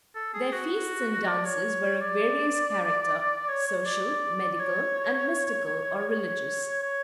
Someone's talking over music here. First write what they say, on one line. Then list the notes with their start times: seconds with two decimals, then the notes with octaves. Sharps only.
Their feasts and dances were of various character, social, medical, and mystical or religious.
0.15 A4
0.34 G#4
0.53 F#4
1.27 D5
1.45 C#5
2.01 D5
3.49 C#5
3.67 C#5
3.86 D5
4.60 C#5
6.08 C#5
6.82 C#5